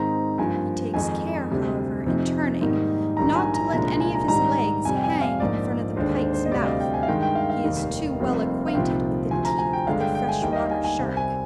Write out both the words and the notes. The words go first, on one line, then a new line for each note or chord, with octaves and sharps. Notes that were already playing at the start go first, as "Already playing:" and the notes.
He takes care, however, in turning, not to let any of his legs hang in front of the pike's mouth; he is too well acquainted with the teeth of the fresh-water shark!
Already playing: G#2 D#3 G#3 C4 D#4 A#5
G2 F3 A#3 G#5
F2 D#3 G#3 D#4 G#5
D2 C3 G3 D4
F2 C3 F3 C4 D#4
G#2 D#3 G3 A#3 D#4
A#1 G#2 D#3 G3 D4 A#5
G#5
A#5
C2 A#2 F3 G#3 D4 A#5
G#5
A#5
G#2 D#3 G3 D4 A#5
F2 C3 G3 G#5
G5
G#5
F5
A#1 G#2 F3 A#3 D5
D#2 D3 G#3 D4 C5
C5
C5
D#5
D2 C3 G3 D5
F5
D#5
G5
G#5
F5
G2 D#3 G#3 G5
G5
F5
F5
F1 D#2 D#3 G3
F1 F2 C3 G3 A#3
F5
C2 A#2 F3 C4 D#4 G5
D2 C3 F3 C4 G#5
A#5
G#5
G5
G1 G2 D3 G#3 D4 F5
G5
G5
G#5
D#2 D#3 G3 G5
D#5
F5
G#5
G#5
C2 C3 G3 C4
G#5